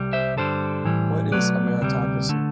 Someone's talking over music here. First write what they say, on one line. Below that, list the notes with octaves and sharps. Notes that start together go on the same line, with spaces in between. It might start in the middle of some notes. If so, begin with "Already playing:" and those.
What is a meritocracy?
Already playing: C2 C3 G3
C5 E5
G2 D3 G3 A4 C5
A2 E3 G3
B1 A2 F#3 A3 B4 D5
D2 C3 G3
D3 A3